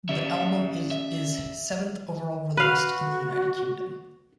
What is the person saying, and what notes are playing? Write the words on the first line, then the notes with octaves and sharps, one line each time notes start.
The album is his seventh overall released in the United Kingdom.
C#4 G4 D5 E5
E5
F#4 B4 F5